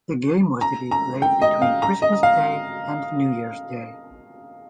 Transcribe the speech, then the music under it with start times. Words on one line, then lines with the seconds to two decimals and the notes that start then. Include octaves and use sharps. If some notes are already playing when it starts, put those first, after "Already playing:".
The game was to be played between Christmas Day and New Year's Day.
0.61 A#5
0.91 A#5
1.22 G5
1.42 D#5
1.62 F5
1.82 A#5
2.02 D#5
2.23 F5